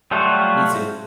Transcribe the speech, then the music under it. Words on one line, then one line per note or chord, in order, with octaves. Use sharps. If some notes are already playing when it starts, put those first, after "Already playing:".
Me too.
F#3 G3 A3 F4 F#4